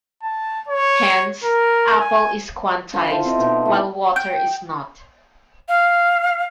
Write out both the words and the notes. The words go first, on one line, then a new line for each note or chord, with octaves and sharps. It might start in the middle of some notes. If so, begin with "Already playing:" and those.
Hence, "apple" is quantized, while "water" is not.
A5
C#5
A#4
G#5
D3 F3 F5 G5
E4 F4 A4 C5
C4 D#5
B2 D#4
A3 E4
G5
F5